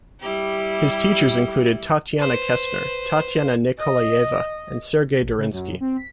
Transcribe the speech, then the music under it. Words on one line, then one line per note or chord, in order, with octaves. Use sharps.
His teachers included Tatiana Kestner, Tatiana Nikolayeva and Sergei Dorensky.
G3 E4 G4
B4 C5
D#5
A1
C#3
F#2
C4
B6